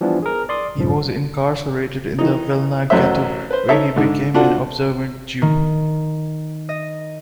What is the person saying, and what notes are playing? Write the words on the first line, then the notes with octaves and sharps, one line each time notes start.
He was incarcerated in the Vilna Ghetto where he became an observant Jew.
E3 F3 G3 B3 D4
G#4 A#4
D5 C6 D#6
B1 F2 G#2 F3
D#3 E3 D#4
A1 F#2 F#3 C#4 C5 E5
B4 C5
D#4 A4 C#5 E5
G#2 D3
D4 F4 F#4 A4
D#3
D#5